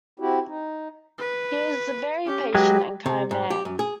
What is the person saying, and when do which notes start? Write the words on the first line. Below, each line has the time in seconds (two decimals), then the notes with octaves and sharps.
He was a very patient and kind man.
0.20 C4 E4 F#4 G4
0.47 D#4
1.18 B4
2.26 C#4 G4
2.55 F#3 G#3 G4 B4
3.06 C3
3.31 G#2
3.50 G4
3.65 F#2
3.79 G#4